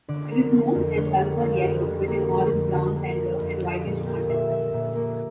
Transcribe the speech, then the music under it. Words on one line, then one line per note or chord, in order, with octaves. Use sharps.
It is smooth and sulphur yellow with an orange-brown centre and whitish margin.
D3 D5
A#3
F3
F2
D3 C#5
A#3
F3 F4
G4
F2
D3
A#3
F3
F2
D3
A#3
F3
F2
F3 F4
A#2 F4
A#3 G4
A#2 E5
F3 E5
A#2
A#3